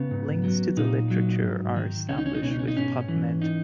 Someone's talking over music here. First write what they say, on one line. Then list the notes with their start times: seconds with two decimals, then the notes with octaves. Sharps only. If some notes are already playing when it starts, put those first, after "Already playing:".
Links to the literature are established with PubMed.
Already playing: C#3 B3
0.11 G#2
0.44 F#3
0.77 A#2 D#4
1.10 F#3
1.43 G#2
1.76 D#3
2.09 C#2 C#4
2.18 D#4
2.26 C#4
2.34 D#4
2.42 B2 C#4
2.51 D#4
2.59 C#4
2.68 D#4
2.76 G#2 C#4
3.08 E3
3.42 D#4